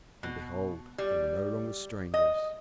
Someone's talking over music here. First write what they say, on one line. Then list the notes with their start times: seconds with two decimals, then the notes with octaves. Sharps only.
And behold, they were no longer strangers.
0.23 B2
0.98 G3
2.14 D#5